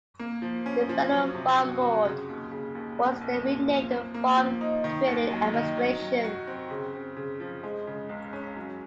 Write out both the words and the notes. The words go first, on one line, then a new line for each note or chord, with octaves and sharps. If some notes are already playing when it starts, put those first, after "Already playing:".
The Federal Farm Board was then renamed the Farm Credit Administration.
A#3
F3
C#4
F3
F#3
C3
F#4
F#4
C#3
D#2
C#3
D#2
C2
C2
A#2
F3
A#3
A#3
F3
D#4
D#3
D#2
F#3
D#3
F#3
F#3
F#4
C4
C#3
C4
C#3
F3
G#3
C#3
C#2
C#4
F#3